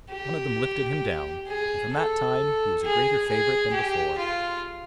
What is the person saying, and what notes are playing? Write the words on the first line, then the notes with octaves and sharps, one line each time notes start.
One of them lifted him down, and from that time he was a greater favourite than before.
G4
G#4
A4
G#4
G#4
G4
F4